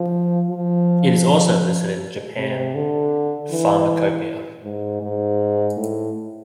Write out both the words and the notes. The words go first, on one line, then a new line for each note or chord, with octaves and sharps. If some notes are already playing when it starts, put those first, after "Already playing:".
It is also listed in the Japan "Pharmacopoeia".
Already playing: F3
F3
C3
D3
E3
G#2
G#2
A2